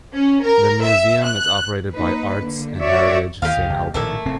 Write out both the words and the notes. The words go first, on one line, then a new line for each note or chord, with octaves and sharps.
The museum is operated by Arts and Heritage St. Albert.
C#4
A#4
E5
F#6
A#3 D#4 B4
D3 A#3
F#4 C#5 D5 E5
D#2 E3 G4 D#5 F5
C2
C#2
A#1 A2 D#3 A3 A#3 E5
F1 A2 C4